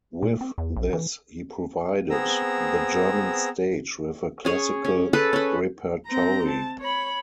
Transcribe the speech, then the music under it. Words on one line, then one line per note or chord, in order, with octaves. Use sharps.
With this, he provided the German stage with a classical repertory.
A#2
C4
E2
A#1
E3
B3 C4 G#4 A#5 E6
C#4 G#4 C#5
C#4
G#4 A4 B4 A5
C#4 B4
C4 A#5
A5
C#5 B5